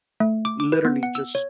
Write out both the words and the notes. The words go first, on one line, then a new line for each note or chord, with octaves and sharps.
literally just,
A3
D6
D6
B4
B3
F#5
E6
C#5